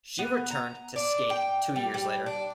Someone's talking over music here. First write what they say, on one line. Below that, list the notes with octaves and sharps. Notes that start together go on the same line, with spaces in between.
She returned to skating two years later.
B3
A#5
D4
G5
G3
G3
D4